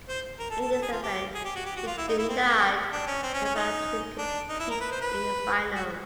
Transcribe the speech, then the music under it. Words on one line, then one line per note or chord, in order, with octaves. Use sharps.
In this event she did not advance to compete in the final.
C5
A#4
A4
A4
A4
G#4
F4
G4
G#4
G4
F#4
G4
F#4
F4
E4
D#4
E4
C4
D4
C#4
C4
C#4
C#4
D#4
D4
D#4
E4
A#4
B4
C5
B4
F#4